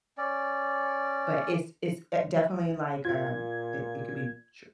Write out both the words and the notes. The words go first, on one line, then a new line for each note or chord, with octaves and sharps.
but it's it's, eh, definitely like, um it it could be dr
C#4 D5
A#2 F4 G#6